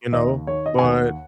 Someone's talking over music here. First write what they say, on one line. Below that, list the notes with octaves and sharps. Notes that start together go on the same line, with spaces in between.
you know? But,
D#2 D#5
D#3 C#5
D#5
G#5
D#2 F#5